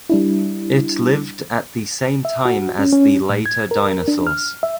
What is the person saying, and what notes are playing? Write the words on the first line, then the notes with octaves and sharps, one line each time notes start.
It lived at the same time as the later dinosaurs.
G3 D4 E4
E5
F#4
C#4
C#4
A2
G#6
A#4
D4
F6
E5